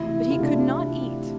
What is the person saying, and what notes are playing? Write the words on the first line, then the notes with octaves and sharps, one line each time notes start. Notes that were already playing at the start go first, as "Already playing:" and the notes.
But he could not eat.
Already playing: D2 C3 E3 E4
D2 C3 E3 F4
D4
E4